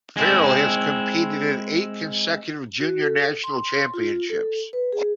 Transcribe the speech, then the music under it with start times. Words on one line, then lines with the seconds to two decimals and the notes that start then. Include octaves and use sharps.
Farrell has competed in eight consecutive Junior National Championships.
0.17 G#3 C4 E4
2.80 F#4
3.03 A4
3.44 C6
3.94 F4
4.30 A4
4.73 B4
4.92 G#4